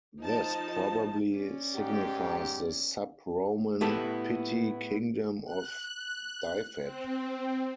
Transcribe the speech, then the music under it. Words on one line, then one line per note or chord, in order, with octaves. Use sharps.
This probably signifies the sub-Roman petty kingdom of Dyfed.
F3 D#4 A5
C#4 D5
G#2 G4
A2 A3 B3 E4 G4 A4
F#6
C4